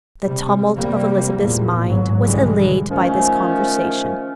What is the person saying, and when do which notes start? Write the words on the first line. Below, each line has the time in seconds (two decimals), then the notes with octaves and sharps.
The tumult of Elizabeth's mind was allayed by this conversation.
0.25 C3 G3
0.76 C3 G3 A#3
1.37 E2 A#2
1.86 G#1 G#2 F#3
2.22 B1 D3 E3 G3 G#3
2.89 D#3 F3 A3 C#4